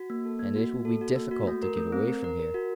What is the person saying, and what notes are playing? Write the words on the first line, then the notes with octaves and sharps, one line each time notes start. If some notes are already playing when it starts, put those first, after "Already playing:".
And it will be difficult to get away from here.
Already playing: F#4
A#3
A4
A#3
F#4
A#3
A4
F#4
A#3
F#4
A3
A#4
A3
C4
A#4
A#4
A#4
F#4